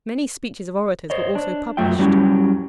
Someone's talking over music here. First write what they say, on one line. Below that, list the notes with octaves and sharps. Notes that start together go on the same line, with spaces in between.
Many speeches of orators were also published.
C5 C#5 D#5
D4
F#2 F#3 A3 F4 E5 G5
F#3 G3 C#4 E4 G4